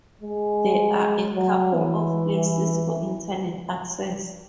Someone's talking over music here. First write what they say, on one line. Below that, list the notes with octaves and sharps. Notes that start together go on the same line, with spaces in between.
There are a couple of places for internet access.
G#3
F#3
E3